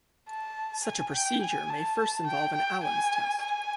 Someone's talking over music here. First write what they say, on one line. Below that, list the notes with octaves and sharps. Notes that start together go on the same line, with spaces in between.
Such a procedure may first involve an Allen's test.
A5
G#5
G5
G#5
A5
A5
G5
G5
G#5
G#5